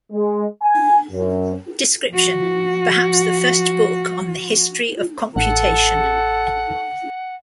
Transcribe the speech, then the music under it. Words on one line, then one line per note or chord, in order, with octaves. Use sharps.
Description: Perhaps the first book on the history of computation.
G#3
G#5
F#2
F3 F#4
A1 A4 F#5